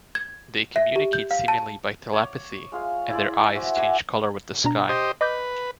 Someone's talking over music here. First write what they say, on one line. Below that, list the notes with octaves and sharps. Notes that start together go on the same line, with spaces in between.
They communicate seemingly by telepathy, and their eyes change colour with the sky.
G#6
E5
G4
G6
F5
A5
C#5 D6
G#3 F4 G#4 F5
E4 G#4 D5 C6
F#4 C5 D5 E5
F#5 G#5 A#5 D6
B2 D4 A#5
G4 C5 D#5
B4 D#5 D6 G6